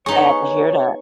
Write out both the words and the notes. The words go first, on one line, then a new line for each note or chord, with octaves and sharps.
Sad to hear that.
B3 D#4 G#4 C#5 C#6